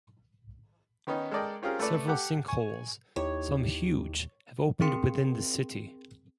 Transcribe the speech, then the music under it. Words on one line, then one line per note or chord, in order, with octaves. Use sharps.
Several sinkholes, some huge, have opened within the city.
D#3 B3 C#4 D#4
G#3 A4 A#4 D5 D#5 G5
C4 C#4 F4 G4 G#4 A#4
A3 A4 B4 D5
G4 A4 F#5 D6
G#5 C#6
D#2 D#4 E4 G4 C#5
C4 G#4 A#4 G5 C6 C#7